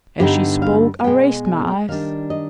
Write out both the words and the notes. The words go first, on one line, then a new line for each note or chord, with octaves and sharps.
As she spoke I raised my eyes.
G2 D3 G3 B3 D#4 G4
F5
F5
B2 G#3 B3 G5
G#5
G5
D#3 G3 D4 F5
D#5